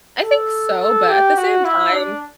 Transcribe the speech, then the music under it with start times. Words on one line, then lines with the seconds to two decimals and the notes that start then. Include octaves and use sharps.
I think so, but at the same time,
0.23 A4
0.79 A4
1.08 G4
1.37 F#4
1.64 E4
1.93 D4